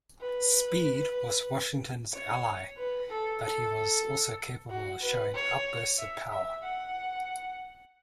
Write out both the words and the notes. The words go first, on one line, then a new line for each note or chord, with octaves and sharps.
Speed was Washington's ally, but he was also capable of showing outbursts of power.
B4
C#5
B4
A4
A4
F#4
B4
C#5
E5
E5
F#5